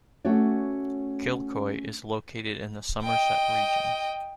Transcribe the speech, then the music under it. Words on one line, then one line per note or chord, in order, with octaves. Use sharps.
Kilcoy is located in the Somerset Region.
A3 C#4 F#4 C#5 D5
D#5 G5